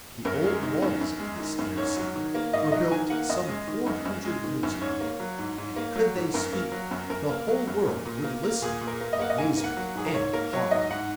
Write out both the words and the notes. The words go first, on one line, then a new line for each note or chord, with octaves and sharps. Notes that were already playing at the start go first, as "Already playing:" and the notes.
The old walls of this inner city were built some four hundred years ago and could they speak, the whole world would listen with amazement and horror.
F#2 A#4
G#3
D#3
F#2
F#2
G#3
D#3
F#2
G#2 C#5
F#3
D#3
A#3
G#2 D#5
F#3 D#5
D#3 G#5
A#3 F#5
F#2 D#5
G#3
D#3
F#2
F#2
G#3
D#3
F#2
G#2 C#5
A#3
F#3
G#2
G#2
A#3
F#3
G#2
F#2 A#4
A#3
F#3
F#2
F#2 A#4
A#3
F#3
F#2
A#2
A#2
A#3
A#3
A#2 G#4
A#2
A#4
A#3
D#5
A#3 F#5
D#5
G#2 G#5
A#3
F#5
F#3
G#2 G#4
A#4
G#2 C#5
A#3 A#4
F#3 C#5
G#2 D#5
G#2 F#5